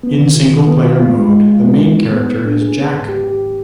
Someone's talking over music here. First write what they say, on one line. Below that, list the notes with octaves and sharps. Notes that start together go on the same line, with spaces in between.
In single player mode, the main character is Jack.
B3
D#3
F4
D#3
B3
F4
F4
G#3
G#3
F4
B3
G#3
B3
B3
B3
D4
G#4
B3
G#2
G4
G4